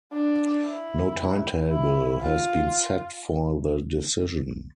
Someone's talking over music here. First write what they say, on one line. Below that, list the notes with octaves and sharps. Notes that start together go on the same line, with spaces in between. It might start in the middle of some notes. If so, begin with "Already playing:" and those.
No timetable has been set for the decision.
D4
E4
E4
F4